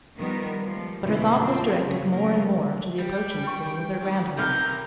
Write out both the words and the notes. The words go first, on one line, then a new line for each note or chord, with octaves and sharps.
But her thought was directed more and more to the approaching scene with her grandmother.
D#3 F3 G3 B3 A#4
F3 G3 G#3
F#2 B2 D3 E3 A3 E4
C4 F4
G#2 C#3 F#3 C#4
C#3 F#3 A#3 A#4
G3 G5
C#6
G#2 D#3
B1 C3 A#4 F6 G6